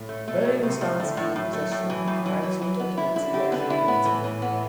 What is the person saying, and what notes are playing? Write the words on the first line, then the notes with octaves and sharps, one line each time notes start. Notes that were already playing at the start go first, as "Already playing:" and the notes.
Boeing was found to be in possession of proprietary documents from Lockheed Martin.
Already playing: A2
A3
B2 A3
A2
A2 C3
A2
A2 D3
A2
A2 F#3
A3
A2
E3
A2
E3
E3
E3
B3
E4
D3 E4
G4
B3
E4
A2 B3
E3
E3
B3